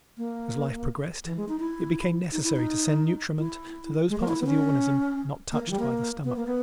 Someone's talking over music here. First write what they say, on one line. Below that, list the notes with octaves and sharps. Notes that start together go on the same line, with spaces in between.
As life progressed it became necessary to send nutriment to those parts of the organism not touched by the stomach.
A#3
E3
G#3
D#4
E4
D#4
E4
D#4
E4
G#3
A#3
E4
B3
C#4
A#3
E3
G3
A#3
B3
A#3
B3